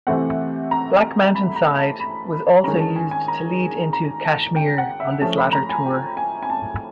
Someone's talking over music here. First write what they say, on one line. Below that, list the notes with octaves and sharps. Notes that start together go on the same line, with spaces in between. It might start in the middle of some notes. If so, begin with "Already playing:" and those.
"Black Mountain Side" was also used to lead into "Kashmir" on this latter tour.
C3 E3 A3 C4 F#5
A#5
B5
A#5
A5
B5
D#3 G#3 C#4 A#5
A5
G#5
G#5
A#5
A#5
A5
G5
F#5
E5
F3 A3 C#4 A5
B5
A#5
G#5
G5
G#5
G#5
A5